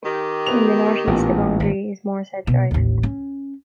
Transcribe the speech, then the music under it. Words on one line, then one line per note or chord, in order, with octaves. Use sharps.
In the north east the boundary is Morshead Drive.
D#3 G4
B3 B4 F7
A1 A#2 B3
G#1
B2
A1 D#2
C#4